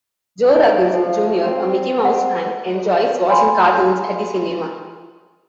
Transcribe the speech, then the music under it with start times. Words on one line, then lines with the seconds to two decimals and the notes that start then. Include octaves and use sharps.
Jo Ruggles Junior a Mickey Mouse fan, enjoys watching cartoons at the cinema.
0.53 D4
0.93 F3
1.43 C4
2.05 F#5
3.30 G#5 B5 C6